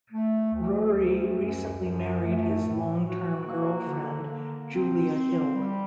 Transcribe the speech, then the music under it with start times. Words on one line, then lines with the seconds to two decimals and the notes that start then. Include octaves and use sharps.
Rory recently married his long term girlfriend Julia Hill.
0.12 A3
0.54 D2
0.95 D2
1.37 F#2
1.78 F#2
2.21 A3
2.62 A2
3.05 F#4
3.46 A#3
3.87 D3
4.29 A#3
4.71 C4
5.13 C4
5.54 G3